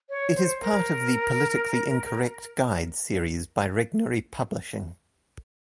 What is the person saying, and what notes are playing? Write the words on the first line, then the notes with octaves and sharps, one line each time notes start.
It is part of "The Politically Incorrect Guide" series by Regnery Publishing.
C#5
C5
A#4